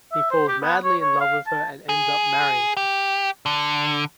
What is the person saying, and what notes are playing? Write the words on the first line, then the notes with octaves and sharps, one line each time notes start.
He falls madly in love with her and ends up marrying her.
E5
C5
G4
B3
C#5
C#5
F5
A5
G#4
G4
D3